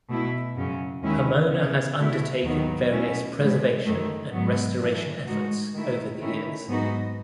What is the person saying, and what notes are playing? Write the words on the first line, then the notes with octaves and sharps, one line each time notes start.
Pomona has undertaken various preservation and restoration efforts over the years.
B2 A3 E4
F#2 C#3 F#3 C#4
D#2 D#3 G#3 C#4 E4
C#3 E3 B3
B2 A3 E4
D#2 D#3 F#3 B3
B2 A3 C#4 E4
A2 E3 G#3
F#2 D#3 A3
G#2 F#3 B3
A2 E3 A3
A2 G#3 D#4 F#4
D#3 A3 E4
D#3 A3 C#4 E4
G#2 F#3 B3 D#4 F#4